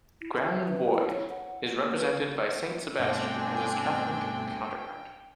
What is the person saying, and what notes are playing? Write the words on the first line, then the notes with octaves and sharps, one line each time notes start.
Grand Bois is represented by Saint Sebastian as his Catholic counterpart.
E4
E5
B4
E4
C#5
F#5
A#3
B4
G2 B2 A3 C4 D4 G5 G#5